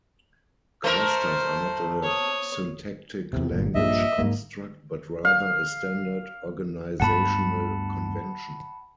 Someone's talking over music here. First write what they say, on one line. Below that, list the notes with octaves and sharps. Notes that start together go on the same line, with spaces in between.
Clusters are not a syntactic language construct, but rather a standard organizational convention.
A3 A#4 C5
C#5 D#6
E2 C3
G1 A#2
A#1 G2 A#2 D#5 E5
G#2 A#3
F5
D2 G2 B3 F#5 A5 B5